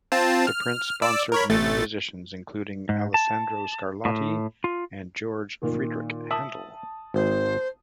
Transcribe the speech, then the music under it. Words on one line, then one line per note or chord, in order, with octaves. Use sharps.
The prince sponsored many musicians including Alessandro Scarlatti and George Frideric Handel.
C4 F4 A5
F6
D5 D6 E6
A#4 C#5 B5
A1 A3 A6
G#2
A5
A2
F4
A#2 D#3
E5 A5 D#6 F#7
G#1 C5